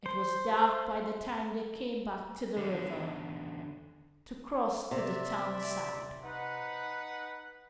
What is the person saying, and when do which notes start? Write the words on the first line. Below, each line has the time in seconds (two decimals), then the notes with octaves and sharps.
It was dark by the time they came back to the river, to cross to the town side.
0.06 C5
2.57 E2 D3
4.91 C3 D5 E5
6.23 D#4 B4 F#5